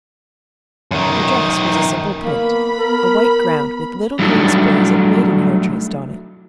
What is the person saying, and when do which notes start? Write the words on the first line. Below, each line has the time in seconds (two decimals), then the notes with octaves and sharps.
Her dress was a simple print, a white ground with little green sprays of maiden-hair traced on it.
0.91 F#2 D#3
2.22 A#3 B3 B5
2.79 A#4
4.19 F#3 G3 A3 D4 D#4